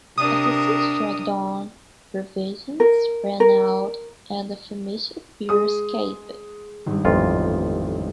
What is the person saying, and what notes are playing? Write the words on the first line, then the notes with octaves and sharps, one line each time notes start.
As the siege dragged on, provisions ran out and the famished bear escaped.
C3 D4 A#4 D#6
A#4
A#4
G#3 G#4 D#6
G#1 G2
A1 F2 F4